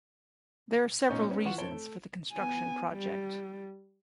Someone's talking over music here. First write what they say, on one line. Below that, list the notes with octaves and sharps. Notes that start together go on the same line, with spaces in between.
There are several reasons for the construction project.
A#2 C#4 D#4 C#6 G6
B3 C#4 D#4
E3 F4 F#5 C#6 E7
F2 C4 C#5 A5 D7 G7
A3
B3 G#5
G3